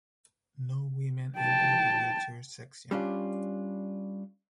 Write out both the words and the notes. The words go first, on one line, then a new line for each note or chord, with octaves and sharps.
No women entered the wheelchair section.
G5 A5
G3 C#4 D4 F4